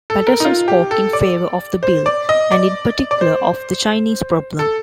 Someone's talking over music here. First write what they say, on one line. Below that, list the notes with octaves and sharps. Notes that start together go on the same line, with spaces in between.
Paterson spoke in favour of the bill, and in particular of the 'Chinese problem'.
A4
A#4
D#4
F4
G4
A4
D5
C5
D5
D#5
D5
D5
C5
A4